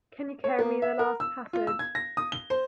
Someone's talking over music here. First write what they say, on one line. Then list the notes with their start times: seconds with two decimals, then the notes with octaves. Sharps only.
Can you carry me the last passage?
0.44 C#5
0.59 A#3
0.82 E5
0.99 A#4
1.20 E6
1.53 F4
1.67 E6
1.79 G#6
1.95 A#6
2.17 D#6
2.32 G7
2.50 C5